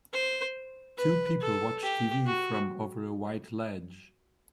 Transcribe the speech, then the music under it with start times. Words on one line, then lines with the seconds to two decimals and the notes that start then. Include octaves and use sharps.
Two people watch TV from over a white ledge.
0.13 C5
0.98 B4
1.41 A4
1.83 G4
2.26 F#4